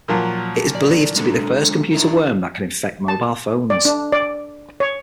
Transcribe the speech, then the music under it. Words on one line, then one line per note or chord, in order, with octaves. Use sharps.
It is believed to be the first computer worm that can infect mobile phones.
A#2 F3 F#3
D5
G#3 D4 A4
D4 E4 A#4
A5
D5
D4
D5
C#5